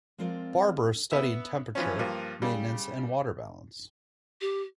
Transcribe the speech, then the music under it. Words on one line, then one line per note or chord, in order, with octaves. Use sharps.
Barbour studied temperature maintenance and water balance.
F3 G#3 C4 F4 A#4 D5
B3 E5
E3 F3 C#4
G2 F3 A#3
C#3 G3
G4